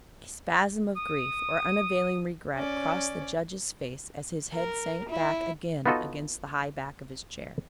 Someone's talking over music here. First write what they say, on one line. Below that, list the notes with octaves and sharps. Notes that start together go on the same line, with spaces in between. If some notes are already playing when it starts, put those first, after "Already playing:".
A spasm of grief or unavailing regret crossed the judge's face as his head sank back again against the high back of his chair.
D#6
C#4 D5
A#4
E4
B3 D#4 F4 F#4 A4 D#5